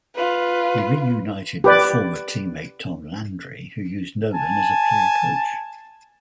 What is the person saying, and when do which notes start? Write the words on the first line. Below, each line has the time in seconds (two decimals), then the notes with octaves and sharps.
He reunited with former teammate Tom Landry, who used Nolan as a "player-coach".
0.15 F4 B4
1.64 G4 B4 D5
4.33 G#5 A5